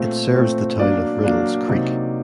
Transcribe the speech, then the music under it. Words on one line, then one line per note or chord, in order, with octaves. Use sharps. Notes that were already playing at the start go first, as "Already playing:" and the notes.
It serves the town of Riddells Creek.
Already playing: A#2 A3 C4
A#2 A3 C4
F#3 A#3 D4 D5
F#3 A#3 D4
C3 F#3 A#3 D#4